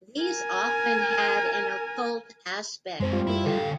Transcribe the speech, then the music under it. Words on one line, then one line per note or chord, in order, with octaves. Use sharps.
These often had an occult aspect to them.
A#4 G#5
F#2 G#3 C4 C5
G3 F4
F#2 E4
D3 A4 F5 G5